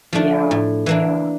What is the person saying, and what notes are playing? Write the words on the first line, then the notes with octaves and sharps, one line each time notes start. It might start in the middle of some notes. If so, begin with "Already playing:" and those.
Yeah, yeah.
F3 A3 D4
A2
E3 A#3 D4